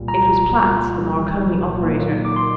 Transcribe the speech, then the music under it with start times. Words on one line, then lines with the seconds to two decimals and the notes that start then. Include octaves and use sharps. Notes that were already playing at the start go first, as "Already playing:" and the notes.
It was Platts, the Marconi operator.
Already playing: C2 A#2 G3
0.08 A#5
1.80 A#2 F#3 A#3 D#4
2.25 D6
2.36 C6